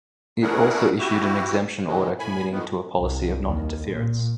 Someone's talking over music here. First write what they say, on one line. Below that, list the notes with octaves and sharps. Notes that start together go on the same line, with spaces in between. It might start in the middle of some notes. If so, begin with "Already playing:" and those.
It also issued an exemption order committing to a policy of non-interference.
A3 D4 E4 G#4 A#4 F#5
E4 F#4 G4
C3 D#3 E3 F#3 G#3
A2 G#5 B5
F2 D#3 B3
C2
D#2
A#2